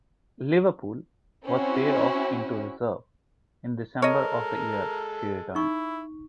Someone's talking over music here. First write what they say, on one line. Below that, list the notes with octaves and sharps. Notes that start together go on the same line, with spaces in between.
"Liverpool" was paid off into reserve in December of the year she returned.
C4 C#4 E4 F#4
G#3 A4 A#4 C#5 D#5
D#4 E4 C#6